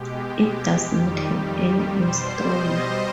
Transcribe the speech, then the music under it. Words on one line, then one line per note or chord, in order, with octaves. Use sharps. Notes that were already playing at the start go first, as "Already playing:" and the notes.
It does not have any installer.
Already playing: B2 G#3 G4
F2 D#3 G3
B2 G3 C5
D#5